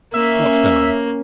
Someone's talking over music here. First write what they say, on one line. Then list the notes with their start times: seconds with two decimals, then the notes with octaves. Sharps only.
"What fellow?"
0.14 A#3 C#4 E5